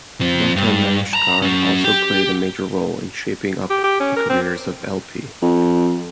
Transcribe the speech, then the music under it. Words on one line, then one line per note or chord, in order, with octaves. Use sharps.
Lata Mangeshkar also played a major role in shaping up the careers of L-P.
F3 C4
G2
A5 A#5
F#3 C#4
G4
G4
G4
C#4
A#4
C4
F2